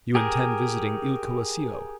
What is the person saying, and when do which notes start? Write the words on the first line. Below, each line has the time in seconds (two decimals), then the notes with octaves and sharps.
"You intend visiting Il Colosseo."
0.15 G4 G#4 A#4